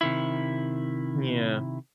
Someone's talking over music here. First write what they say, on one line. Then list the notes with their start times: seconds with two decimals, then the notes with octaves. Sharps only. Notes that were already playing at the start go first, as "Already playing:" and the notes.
Mm, yeah.
0.01 C3 D#3 E4